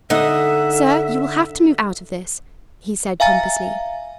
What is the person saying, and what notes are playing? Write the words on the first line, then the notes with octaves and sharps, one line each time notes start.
"Sir, you will have to move out of this," he said pompously.
D3 D#4 A4 E5 F#5 D#6
E5 F5 G#5 A#5 A6